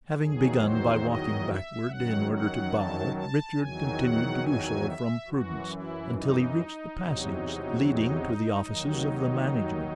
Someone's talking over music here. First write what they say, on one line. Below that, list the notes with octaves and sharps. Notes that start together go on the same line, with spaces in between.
Having begun by walking backward in order to bow, Richard continued to do so from prudence, until he reached the passage leading to the offices of the management.
E2 D#3 F#3 G#4
C5
D#5
E5
F#2 D#3 F#3 F#5
F#5
A5
A5
E2 D#3 F#3 G#5
F#5
G#5
E5
F#2 E3 F#4
E4
D#4
E2 C3 F#3
D#4
D#2 D#3 F#3